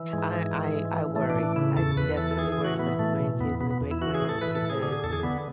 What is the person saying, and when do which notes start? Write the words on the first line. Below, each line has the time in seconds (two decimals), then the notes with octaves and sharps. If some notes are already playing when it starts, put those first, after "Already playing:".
I I I worry. I definitely worry about the grandkids and the great-grands because
Already playing: E3
0.13 G#2 G#3
0.33 E3
0.55 G#2
0.75 E3
0.96 A2
1.15 E3 A3
1.30 D4
1.35 A2
1.43 D4
1.56 C#3 E4
1.76 E2 A4
1.97 E2 B4
2.17 E3 A4
2.31 A4
2.38 E3 G#4
2.52 G#4
2.58 A2
2.65 F#4
2.79 E3 B3
2.99 A2 A3
3.19 B2
3.39 E2 B3
3.60 B2 B3
3.71 B3
3.81 E2
3.91 E4
4.02 E3 F#4
4.15 G#4
4.21 A2
4.29 A4
4.41 E3 B4
4.55 A4
4.63 A2
4.70 G#4
4.82 D3 G#4
4.92 G#4
5.04 E2 A4
5.13 G#4
5.23 D3 B3